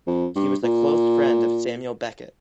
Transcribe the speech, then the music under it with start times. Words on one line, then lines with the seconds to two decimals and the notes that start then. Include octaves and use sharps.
He was a close friend of Samuel Beckett.
0.07 F2
0.35 G2
0.64 A#2